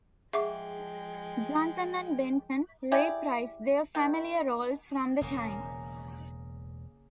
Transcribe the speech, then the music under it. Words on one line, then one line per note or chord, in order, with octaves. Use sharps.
Johnson and Benton reprised their familiar roles from The Time.
F3 G#3 G#4 E5 F#5 G5 C#6 D6
E4 G4 G#4 D5
D#3
E1 C#3 A#3 C#4